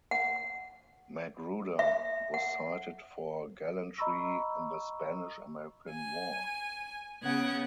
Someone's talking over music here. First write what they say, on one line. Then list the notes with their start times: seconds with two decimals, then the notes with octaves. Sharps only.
Magruder was cited for gallantry in the Spanish–American War.
0.11 F#5
1.79 E5
2.34 F#5
3.98 D#5 A#5 B5 C#6 E6
5.92 G#5
7.21 C#3 B3 F#5 G#6